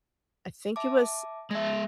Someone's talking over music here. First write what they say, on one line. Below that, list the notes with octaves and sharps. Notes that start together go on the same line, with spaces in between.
I think it was
E5 A5 D6
G#3 E5 A#6